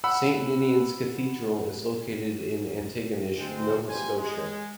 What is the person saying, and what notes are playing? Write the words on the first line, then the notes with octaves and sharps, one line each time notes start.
Saint Ninian's Cathedral is located in Antigonish, Nova Scotia.
F#5 B5 E6
D2 G#3 C4 C5
A1 E2 F3 G3 C5 G#5
G#3